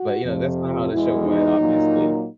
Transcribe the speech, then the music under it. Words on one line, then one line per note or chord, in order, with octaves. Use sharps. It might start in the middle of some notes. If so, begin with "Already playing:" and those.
But, you know, that's not how to show went, obviously.
Already playing: F#4
F2 C3 F3
E2 B2 G#3 E4
D#4
A#2 F#3 A#3